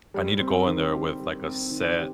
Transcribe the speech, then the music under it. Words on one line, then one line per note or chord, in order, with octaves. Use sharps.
I need to go in there with, like, a set,
G3
C4
D#3
G4
G3
C4
D#3
G4